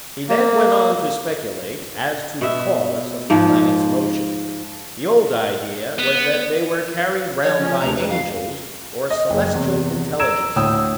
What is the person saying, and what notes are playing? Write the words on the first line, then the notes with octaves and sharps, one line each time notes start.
He then went on to speculate as to the cause of the planets' motion. The old idea was that they were carried round by angels or celestial intelligences.
A#3
B2 E5
G#2 F3
B3
F3 C#5
F3 C#4
D2 C3 A#5
F2 B4
F5
D#5
F#1
E2 C3
A#5 E6 G#6 D7 E7
D2 A2 G5 D#6 E6